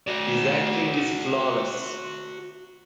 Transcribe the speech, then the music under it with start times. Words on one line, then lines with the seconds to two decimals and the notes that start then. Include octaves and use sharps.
His acting is flawless.
0.07 F#4 D5